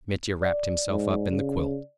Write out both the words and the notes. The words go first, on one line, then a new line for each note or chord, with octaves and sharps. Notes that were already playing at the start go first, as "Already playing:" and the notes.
Mitya wrapped himself up in the quilt.
D5
G#2
C#3